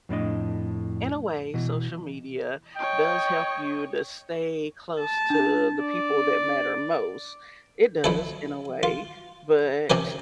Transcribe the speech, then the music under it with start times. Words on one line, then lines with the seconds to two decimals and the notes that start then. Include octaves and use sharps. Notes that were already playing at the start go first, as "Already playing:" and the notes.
in a way, social media does help you to stay close to the people that matter most; it does in a way, but, t
0.09 F2 A2 D4 D#5
1.54 B2 E3
2.76 C#5 D#5 G5
5.00 A5
5.30 D4
5.82 D5
8.04 F2 E4 A4
8.83 F4
9.90 C3 C#4 G4 A#4